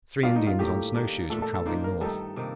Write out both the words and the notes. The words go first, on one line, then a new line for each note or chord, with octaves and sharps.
Three Indians on snow-shoes were traveling north.
A#2 G3 D4 F4
D#4
F4
A2 G3 A#3 G4
D#3 A#3 D4
A#2 A3 D4 A4
A4
A4
F3 A#3 D4 D#4 F4
A#4
G2 D#3 A3 D#4 A4
C3 D#3 A#3